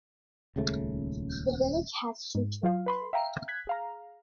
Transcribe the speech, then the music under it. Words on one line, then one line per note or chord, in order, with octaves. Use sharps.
The village has two churches.
D#1 C#2 C#3 A3
G#2
F#3 F4 F5
B4 B5 C6
E5 F5 G5 A#5
F#6 G#6 B6
G#4 F5 A#5